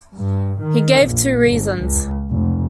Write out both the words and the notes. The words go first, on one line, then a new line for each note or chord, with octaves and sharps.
He gave two reasons.
G2
D#3
A#1
G1
C#2
F1